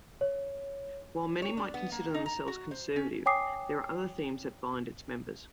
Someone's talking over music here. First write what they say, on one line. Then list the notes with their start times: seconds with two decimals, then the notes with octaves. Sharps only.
While many might consider themselves conservative, there are other themes that bind its members.
0.21 C#5
1.42 C#5
1.57 D4
1.74 B3
1.92 A#3
2.14 D#4
2.26 A#5
2.48 F#4
2.71 C5
2.96 C#4
3.26 C#5 G5 G#5 D6 D#6 C7